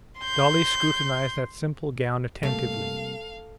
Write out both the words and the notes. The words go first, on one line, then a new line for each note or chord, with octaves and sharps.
Dolly scrutinized that simple gown attentively.
C6 G6
C3 G3 A3 A#3 F5